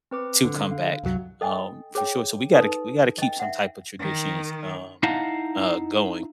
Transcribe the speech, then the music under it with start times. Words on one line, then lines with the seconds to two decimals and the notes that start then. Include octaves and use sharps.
to come back, um, for sure. So, we gotta kee we gotta keep some type of traditions, um, uh, going,
0.11 C4 B4 D6
0.45 D3
0.71 F5
1.04 C2 F#2 F#3
1.41 A4 D#5 G5 G#5
1.95 G#4 C#5 G5
2.55 D#4 A4 B4
3.18 D#5 G5
3.40 E5 F#5
3.97 D#3
5.03 D#4 E4 F5 F#5 A5 A#5